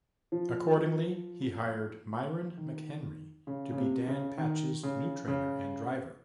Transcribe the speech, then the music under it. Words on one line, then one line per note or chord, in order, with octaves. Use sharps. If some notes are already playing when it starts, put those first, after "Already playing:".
Accordingly, he hired Myron McHenry to be Dan Patch's new trainer and driver.
F3
D#3
C#3
C#3
C3
C#3
D#3
C#3
C#3